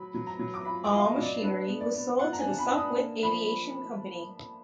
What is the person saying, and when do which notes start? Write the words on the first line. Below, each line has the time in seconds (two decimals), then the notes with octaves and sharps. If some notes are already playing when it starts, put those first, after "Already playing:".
All machinery was sold to the Sopwith Aviation Company.
Already playing: F#3 B5
0.14 F#3
0.27 A#5
0.39 F#3
0.54 D6
0.65 F4 B5
0.85 D6
0.92 F4 F5
1.04 D#5
1.17 F#3
1.23 D5
1.42 D4 B4
1.68 B3
1.81 D5
1.94 B3
2.19 F4 F#5
2.33 A#5
2.39 G#5
2.45 D4
2.58 B5
2.71 D4
2.77 D#6
2.98 A#3
3.23 F3 B5